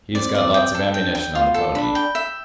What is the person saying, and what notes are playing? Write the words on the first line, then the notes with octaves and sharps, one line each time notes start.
He's got lots of ammunition on the pony.
C4 D5
D5
G5
A4
D4 G5
G5
B3 F4
A4
D4 B5
G5
E5